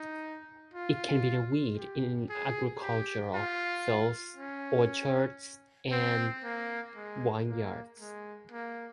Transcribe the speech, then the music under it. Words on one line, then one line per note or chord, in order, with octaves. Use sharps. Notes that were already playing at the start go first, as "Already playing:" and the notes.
It can be a weed in agricultural fields, orchards, and vineyards.
Already playing: D#4
F4
G4
G#4
G4
F4
C#4
C4
A#3
G#3
A#3
G#3
A#3